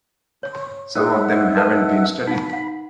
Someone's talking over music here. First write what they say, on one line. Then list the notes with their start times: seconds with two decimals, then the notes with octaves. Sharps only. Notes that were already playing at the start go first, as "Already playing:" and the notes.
Some of them haven't been studied.
0.43 C#5
0.95 C#4 D#4 G#4 E5 F#5
1.56 A#4 B4 A5
2.27 D#4 F#5 B5
2.53 F#5